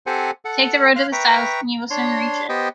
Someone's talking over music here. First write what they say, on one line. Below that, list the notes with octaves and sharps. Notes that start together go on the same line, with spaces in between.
Take the road to the South and you will soon reach it.
C4 G4 A4 C5 F#5 G#5
A4 F#5
F5 C6 F6 F#6
B4 E5 G5 A#5 C#6
D4 C#5 C6
B3 G4 C5 D#5 G5